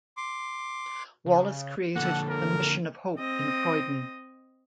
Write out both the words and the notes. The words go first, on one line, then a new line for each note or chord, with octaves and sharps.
Wallis created the "Mission of Hope" in Croydon.
C6 D6
C#3
D3 F3 A#3 A4 F#5
A#4
C4 D#5